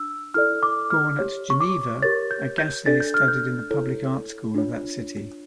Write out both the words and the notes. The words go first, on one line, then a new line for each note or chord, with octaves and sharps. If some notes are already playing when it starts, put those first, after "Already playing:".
Born at Geneva, Agasse studied in the public art school of that city.
Already playing: D4 E6
E4 A4 D5 F6
D6
F6
G4 C#5
C#6
D6
G4 A#4 C#5 A6
G6
G6
D4 A4 D5 A6
G6
F6
G6
E4 A4 C#5
D4 F4 C#5